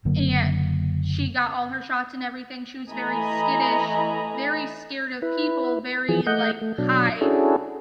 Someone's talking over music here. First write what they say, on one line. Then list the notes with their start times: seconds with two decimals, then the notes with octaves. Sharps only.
and she got all her shots and everything, she was very skittish, very scared of people, very, like, hide.
0.05 F#1 D3 F#3 A#3
2.89 E3 A3 D#5 G#5 A#5 B5
5.22 E4 B4
6.09 E3 F3 G#4
6.27 A3 D#5 F#5 G6
6.61 A3
6.78 B2 F#3 D4
7.21 C#4 D4 E4 F#4 G#4 A4